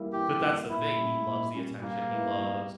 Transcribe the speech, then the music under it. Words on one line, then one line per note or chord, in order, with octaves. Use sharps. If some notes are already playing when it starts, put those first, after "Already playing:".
but that's the thing, he loves the attention, he loves
Already playing: E3 G3 A#3 E4
E3 G4
G3 A#3 E4
A#2 E4
G3 C#4
A#2
G3 C#4
G3 A#3
B3 E4
G3